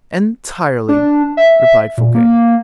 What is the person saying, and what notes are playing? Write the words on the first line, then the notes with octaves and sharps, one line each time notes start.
"Entirely," replied Fouquet.
D4
E5
A#2
A#3